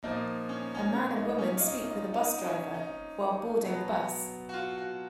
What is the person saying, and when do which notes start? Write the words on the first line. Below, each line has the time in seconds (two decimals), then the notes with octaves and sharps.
A man and woman speak with a bus driver while boarding the bus.
0.03 A#2 F3 A#3 D#4
0.49 C#4
0.75 C#4
0.93 C#4
1.17 D#4
1.29 D#4
1.38 C#4
1.57 F4
1.61 D#4
1.84 D#4
2.14 D#4
2.44 C#4
2.74 D#4
3.64 B2 F#3 B3
4.49 F#4
4.54 F4
4.77 F#4